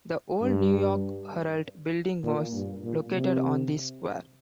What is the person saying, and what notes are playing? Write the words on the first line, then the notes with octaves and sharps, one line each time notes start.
The old New York Herald Building was located on the square.
G2
A#2
G2
A#2
C3